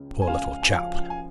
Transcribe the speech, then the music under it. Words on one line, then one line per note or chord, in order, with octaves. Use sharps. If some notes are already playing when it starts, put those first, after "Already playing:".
Poor little chap!
Already playing: C#2 C#3
G#5
C#2 F5
G#5
F3 F5
G#5